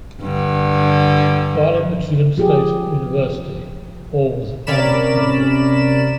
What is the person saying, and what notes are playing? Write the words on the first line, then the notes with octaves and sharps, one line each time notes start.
While at Michigan State University Hall was a finance major.
G2 D3
F3 G4 G#4
C3 C#4 A#4 D5 B5 E7